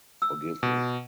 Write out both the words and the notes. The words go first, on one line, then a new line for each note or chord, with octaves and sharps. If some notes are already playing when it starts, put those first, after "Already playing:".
Forgive me.
E6
B2